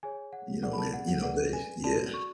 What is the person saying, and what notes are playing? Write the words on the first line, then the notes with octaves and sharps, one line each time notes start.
You know, it you know, they yeah.
G#4 C#5 G#5
F#5
G#4 D5 F#5
B5
A5
F#5
F#5
G#4 B4 D5 F#5
G#5
F#4 A4 D5 A5
C#6